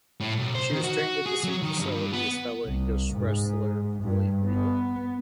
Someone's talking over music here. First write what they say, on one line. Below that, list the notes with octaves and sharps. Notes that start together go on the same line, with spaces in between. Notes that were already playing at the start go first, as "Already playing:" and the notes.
She was trained at the same facility as fellow English wrestler William Regal.
A2
B1
C5
D#3
F#4
G#4
F#3
D#3
G2
B3
C2
G#2
G2
B3